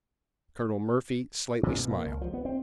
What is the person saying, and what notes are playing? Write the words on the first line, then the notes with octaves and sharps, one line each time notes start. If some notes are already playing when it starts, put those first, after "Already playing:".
Colonel Murphy slightly smiled.
A#2
B2
A#3
C#2
F3
B3
C4